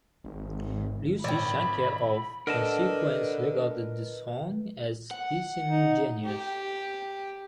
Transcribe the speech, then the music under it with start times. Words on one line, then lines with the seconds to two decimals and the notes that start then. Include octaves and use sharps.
Lucy Shanker of "Consequence" regarded the song as "disingenuous".
0.24 G#1
1.24 G#1 D5 G5 B5
2.47 D3 A#4 B4 D#5 A5
5.11 F#5
5.69 D#4
6.24 G4